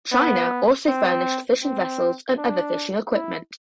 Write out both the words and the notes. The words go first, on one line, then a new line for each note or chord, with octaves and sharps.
China also furnished fishing vessels and other fishing equipment.
B3
C4
C4
D4
E4